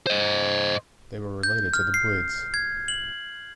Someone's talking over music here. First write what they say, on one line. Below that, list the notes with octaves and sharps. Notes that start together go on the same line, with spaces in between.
They were related to the Buyids.
C5 D#5
G6
F6
C7
G#6
F#7